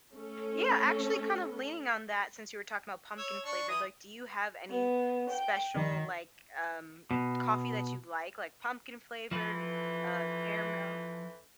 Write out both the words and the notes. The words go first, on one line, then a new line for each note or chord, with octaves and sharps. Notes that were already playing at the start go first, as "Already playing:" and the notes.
Yeah, actually, kinda leaning on that since you were talking about pumpkin flavored, like, do you have any special, like, um, coffee that you'd like, like, pumpkin flavored, uh, caramel?
A3 C#4 A4
C#5 E6
D4 C#6
E3 D#6
B3
G5
D#3
B2
F2 E3 F3 B4